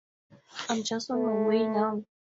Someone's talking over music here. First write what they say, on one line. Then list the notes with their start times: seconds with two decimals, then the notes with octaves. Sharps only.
I'm just on my way now.
1.15 A3